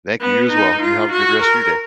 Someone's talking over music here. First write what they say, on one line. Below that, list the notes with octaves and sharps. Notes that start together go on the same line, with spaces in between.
Thank you. You as well. You have a good rest of your day.
B3
D#4
F4
F#4
A#4